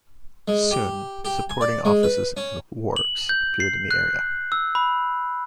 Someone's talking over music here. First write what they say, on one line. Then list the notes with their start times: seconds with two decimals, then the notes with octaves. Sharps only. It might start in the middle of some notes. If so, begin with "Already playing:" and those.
Soon, supporting offices and wharves appeared in the area.
0.48 G#3
0.71 G4
1.25 G4
1.50 G#5
1.61 D5
1.85 G#3
2.03 B4
2.37 C#4
2.96 F#7
3.29 G6
3.60 C7
3.91 F#6
4.52 E6
4.75 B5